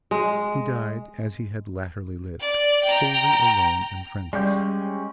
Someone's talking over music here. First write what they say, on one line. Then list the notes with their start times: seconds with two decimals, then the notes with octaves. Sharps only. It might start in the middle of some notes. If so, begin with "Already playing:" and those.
He died as he had latterly lived--wholly alone and friendless.
0.11 G#3
2.40 D5
2.83 G5 A#5
4.33 G3 G#3 C#4 G4 D5